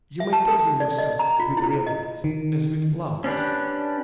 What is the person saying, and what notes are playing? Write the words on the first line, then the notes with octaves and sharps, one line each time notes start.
You may poison yourself with reveries, as with flowers.
E5
A5
A4
D5
D#5
A#5
F4
E4
D#5
D#3
C#4 D4 G4 B4